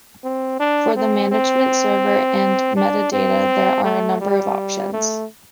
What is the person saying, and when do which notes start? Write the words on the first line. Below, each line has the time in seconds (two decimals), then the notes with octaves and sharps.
For the management server and metadata there are a number of options.
0.24 C4
0.60 D4
0.96 C4
1.32 C4
2.76 D4
3.12 C4
3.84 A3
4.21 G3
4.93 A3